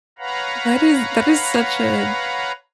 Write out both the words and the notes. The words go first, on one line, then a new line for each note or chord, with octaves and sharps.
That is that is such a
B4 C#5 F5 F#5 A#5 B5